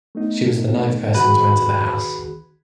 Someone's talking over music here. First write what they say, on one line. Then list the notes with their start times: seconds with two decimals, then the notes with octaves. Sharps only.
She was the ninth person to enter the house.
0.15 A3 B3 D#4
1.14 D#3 F#4 G#4 B4